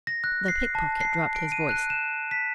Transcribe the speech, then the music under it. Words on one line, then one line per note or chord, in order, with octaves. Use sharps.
The pick-pocket dropped his voice.
A#6
F#6
C7
A5
C7
D7
D#7
F#6
E7
B6